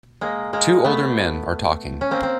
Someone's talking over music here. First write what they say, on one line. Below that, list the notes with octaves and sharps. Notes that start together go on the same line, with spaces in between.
Two older men are talking.
G#3 A#3
G#3 A#3
A3 B3
C#4
A#3 C4
C4